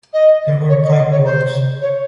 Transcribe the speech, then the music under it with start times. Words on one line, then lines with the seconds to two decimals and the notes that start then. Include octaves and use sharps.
There were five wards.
0.13 D#5
0.69 C#5
0.83 D#5
0.97 D#5
1.11 C#5
1.25 C5
1.81 C#5